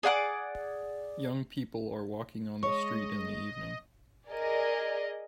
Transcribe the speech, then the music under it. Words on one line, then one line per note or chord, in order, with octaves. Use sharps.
Young people are walking on the street in the evening.
G#4 D5 F#5 D6
G#3 C#5 D#5 C#6
G#4 A#4 D5 D#5